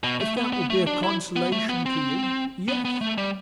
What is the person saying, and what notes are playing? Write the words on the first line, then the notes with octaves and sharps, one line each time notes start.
"If that will be a consolation to you, yes."
B2
A3
B3
B3
A3
D4
E4
B3
A3
B3
C4
B3
B3
A3
G3